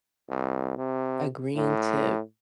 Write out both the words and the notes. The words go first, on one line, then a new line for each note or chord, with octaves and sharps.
agreeing to
C2
C3
A2